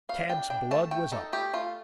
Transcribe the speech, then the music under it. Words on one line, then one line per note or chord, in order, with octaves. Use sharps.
Tad's blood was up.
A3 F5
D4 G5
D4 G5
A3 A5
A3 G5
D#4 A4
A3 G4
A3 F4